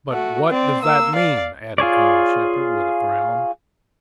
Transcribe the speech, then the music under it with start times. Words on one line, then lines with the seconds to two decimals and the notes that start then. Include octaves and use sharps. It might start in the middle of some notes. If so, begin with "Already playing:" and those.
"But what does that mean?" added Colonel Shepard, with a frown.
0.11 A3 F#4
0.48 C4 D5
0.82 A#3 E6
1.15 D5 F5
1.78 F4 G#4 C#5 D5